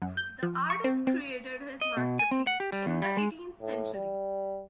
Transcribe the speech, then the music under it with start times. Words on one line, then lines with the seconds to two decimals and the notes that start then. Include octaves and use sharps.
The artist created his masterpiece in the eighteenth century.
0.02 F#2
0.17 G6
0.43 F3
0.70 C#6
0.84 C4
1.07 C4
1.81 D#5
1.97 B2
2.19 G#5
2.31 C4
2.47 F#5
2.60 G4
2.72 G3
2.86 E2
3.02 G3
3.17 G#3
3.61 A2
3.95 G3